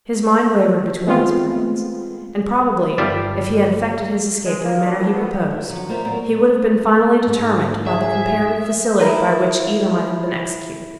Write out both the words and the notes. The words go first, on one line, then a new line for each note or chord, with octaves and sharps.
His mind wavered between these plans, and probably, if he had effected his escape in the manner he proposed, he would have been finally determined by the comparative facility by which either might have been executed.
G#3 A3 B3 C4 F4
G1 G3 D4 F4 D5 E5
G#3
A#3
D4
C2
B3
D3
F3 F#3
A#3 F4 C5 D#5 E5
A#2 F#3 A#3 B3 A#4
G#2
G#4 E5
E4 G#4 A#4 B4